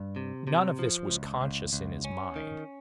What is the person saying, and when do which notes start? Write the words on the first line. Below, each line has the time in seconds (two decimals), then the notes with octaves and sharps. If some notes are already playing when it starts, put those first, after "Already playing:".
None of this was conscious in his mind.
Already playing: G2
0.16 C3
0.47 C3
0.79 F3
1.10 C#2
1.41 C#2
1.73 C#2
2.04 C#4
2.36 D#3